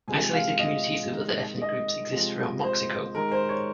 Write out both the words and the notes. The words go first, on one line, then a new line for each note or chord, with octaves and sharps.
Isolated communities of other ethnic groups exist throughout Moxico.
C3 F3 G#3 G#5
F5
D#5
C3 D#3 G#3
D#5
C3 F3 G#3
C5
D#3 G#3 A#4
C5
C#5